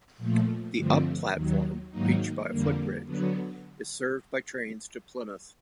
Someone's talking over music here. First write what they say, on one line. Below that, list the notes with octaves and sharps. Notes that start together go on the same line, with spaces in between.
The up platform, reached by a footbridge, is served by trains to Plymouth.
A#2 F3 A3
G2 D3 F3 A3 C4
D#2 D#3 F#3
G#2 D#3 F#3 A#3 D#4
F2 D3 G3 A#3
D3 F#3 B3